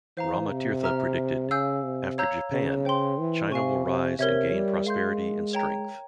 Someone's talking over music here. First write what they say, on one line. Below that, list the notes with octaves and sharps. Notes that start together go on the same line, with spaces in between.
Rama Tirtha predicted: After Japan, China will rise and gain prosperity and strength.
E3 C5 F5 A#5
C3
E5 A#5 F6
C#3 F5 G#5 E6 G6
C3
C#5 F5 A#5 E6 G6
C#3
C5 G5 C6
E3
C3 F5 G#5 C#6
C3
C3 A#4 C#5 E5
G3
G#3 F5 C6 G6
C#5 G5 A#5